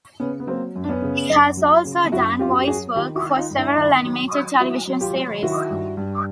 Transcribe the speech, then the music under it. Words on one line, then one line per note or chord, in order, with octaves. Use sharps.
He has also done voice work for several animated television series.
C#3 B3 C#4
B3
F#3 A#3 C4
F#2
D4
B3 C#4
C#3
F#2
F#3
C#3
F#2 E4 F#4
F#2 F4 G4
F#4
G4
F#3 F#4 G#4
D#3 F4 G4
E4 F#4
D#3
D#4 F4
G2
D4 E4
D#3
F#3
F#3
F#3 E4 F#4
F#3
F4 G4
F#3
D#3 E4 F#4
G2
G2